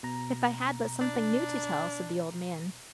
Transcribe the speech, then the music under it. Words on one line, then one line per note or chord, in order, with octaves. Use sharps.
"If I had but something new to tell," said the old man.
B2 A#5
D4